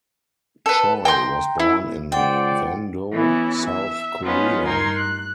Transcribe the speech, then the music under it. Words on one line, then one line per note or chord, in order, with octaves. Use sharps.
Choi was born in Wando, South Korea.
A4 B4
G5 A#5 C6 G6
E4
C#2 C5 D5 F#5 G5
E3 B3 C#4 E4
E5
F3 B3 C#4 D#4 F4
G2 D#4 A#4 C6 G#6
F#6